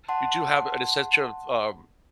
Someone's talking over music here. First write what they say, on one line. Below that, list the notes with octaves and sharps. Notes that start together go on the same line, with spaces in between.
you do have an essential, um,
F#5 A5 C6